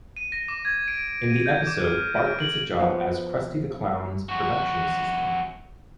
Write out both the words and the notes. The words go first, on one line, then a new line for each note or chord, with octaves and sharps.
In the episode, Bart gets a job as Krusty the Clown's production assistant.
D#7
A#6
D6
G#6
D7
D7
D#7
G6
D6
F6
D7
F#7
F3 B3
F2 F#4